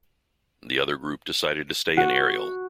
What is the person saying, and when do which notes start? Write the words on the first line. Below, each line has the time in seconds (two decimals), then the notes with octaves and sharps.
The other group decided to stay in Ariel.
1.97 F#4